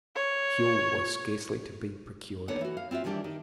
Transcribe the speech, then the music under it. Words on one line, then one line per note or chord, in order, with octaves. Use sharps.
Fuel was scarcely to be procured.
C#5
D#2 D3 D#3 B3 C#5 F#5
E3 F#4
F5
C4 F4 F#4 E5
D#3 E3 G3 D4 G4
D#3